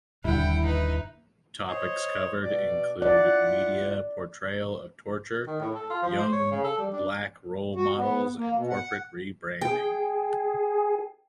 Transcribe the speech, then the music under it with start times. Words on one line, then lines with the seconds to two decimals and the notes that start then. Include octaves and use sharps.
Topics covered included media portrayal of torture, young black role models and corporate rebranding.
0.24 D#1 G2 D3 E4 F#5 G5
0.62 D#4 B4
1.68 C5 C#5 D#5
2.43 B2 D5
3.02 E4 F4 D5 F#5
5.47 D#3
5.60 A2
5.75 A4
5.90 F4
6.02 F3
6.18 C5
6.32 C#5
6.51 C#3
6.64 A4
6.78 G3
6.93 D4
7.75 F#4
7.95 B3
8.36 A#3
8.55 B2
8.70 F#5
9.61 G#4 G5